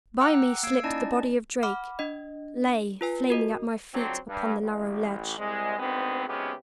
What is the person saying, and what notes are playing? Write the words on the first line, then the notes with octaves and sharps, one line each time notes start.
By me slipped the body of Drake; lay flaming at my feet upon the narrow ledge.
F#5 G5 A#5 D6 E6 F#6
A#3 E6 G#6 C7 D7
C#4 D#4 E4 D5 D#5 A5
F#5 B5 D6 F6
D4 D#5
F4 B4 G#5
F#4 A#4 D#5
C#2 D3 F3 F#3 C4
G2
A1
C2 G#3
D2 G#2 D#3 B3 C4
B1 C3 G#3 B3 C#4 G4